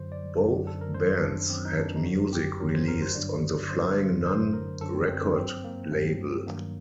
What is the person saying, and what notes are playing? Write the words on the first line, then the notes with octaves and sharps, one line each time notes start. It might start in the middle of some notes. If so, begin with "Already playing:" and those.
Both bands had music released on the Flying Nun record label.
Already playing: F#2 D3 F#3 C5
D5
F#2 D3 F#3
A4
A#4
F#2 D#3 F#3 C5
D4
F#2 D#3 F#3 C4
D#4
D4
D#4
F#2 D3 F#3 F#4
G4
F#2 D3 F#3 A#4
C5
A#4
C5
G2 D3 F#3 D5
G2 D3 F#3 C5
F#2 D3 F#3 C5
A#4
F#2 D3 F#3 A4
C4
C4
D4
G2 F#3 C4
A#3
G2 F#3 A3
G2 D#3 F#3 A#3